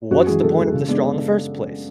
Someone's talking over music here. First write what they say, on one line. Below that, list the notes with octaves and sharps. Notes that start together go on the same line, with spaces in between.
What's the point of the straw in the first place?
F#2 F#4
E3 G#3 G#4
F#2 A4
E3 G#3
C#3
G#3 B3 D4